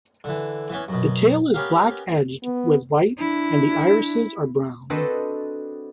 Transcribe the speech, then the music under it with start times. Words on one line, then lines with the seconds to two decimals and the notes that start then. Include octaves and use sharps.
The tail is black edged with white and the irises are brown.
0.24 D3 E3
0.70 E3 B3 C#4
0.88 F#2 B2
1.54 B3 C#4 G4 A#4 F5
2.44 B3
3.19 D4 E4
4.90 C4 D4 F#4 A4 B4 D#5